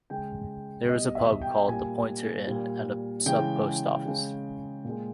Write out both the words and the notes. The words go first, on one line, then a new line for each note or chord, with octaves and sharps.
There is a pub called "The Pointer Inn" and a sub-post office.
C#3 G#3 G5
B2 G3 D#5
E5
G5
A#2 G3 G#5
A#2 G3
C#3 E3 G#3 G5
C#3 G#3
A#2 G#3